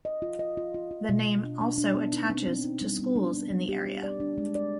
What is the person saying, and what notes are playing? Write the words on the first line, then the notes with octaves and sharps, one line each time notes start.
The name also attaches to schools in the area.
D#5
F4
D#5
F4
F4
F4
B2
B2
D4
D4
D4
B3
D#4
C4
C4
D#4
G3
B3
D4
B3
G3
G4
G4
D5
D4
G#3
D5